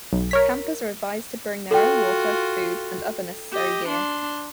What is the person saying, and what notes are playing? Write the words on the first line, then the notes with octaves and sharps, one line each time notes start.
Campers are advised to bring their own water, food, and other necessary gear.
B1
A#4 C#5 B6
F4 F#4 A4 G5
G4 D#5
D4 C6